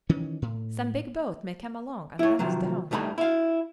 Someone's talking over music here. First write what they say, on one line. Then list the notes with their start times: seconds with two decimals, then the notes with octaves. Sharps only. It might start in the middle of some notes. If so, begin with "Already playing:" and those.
"Some big boat may come along and run us down."
0.09 D#3 E3 C#4
0.42 A2
2.19 E4 C#5
2.39 C3 D#3 F3 F#3
2.91 C2 G3 A3 D#4 B5
3.18 E4 F5